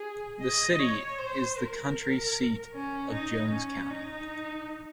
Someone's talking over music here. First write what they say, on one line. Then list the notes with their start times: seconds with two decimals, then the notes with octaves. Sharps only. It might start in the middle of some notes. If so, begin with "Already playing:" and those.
The city is the county seat of Jones County.
Already playing: G#4
0.41 D#5
0.79 C#5
1.18 C5
1.57 A#4
2.74 C#4
3.12 D#4
3.51 C#4
3.90 D#4